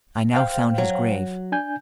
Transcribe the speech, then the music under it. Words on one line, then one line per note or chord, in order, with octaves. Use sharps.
I now found his grave.
C5 F5 G5
F#3
D4 G#5 G6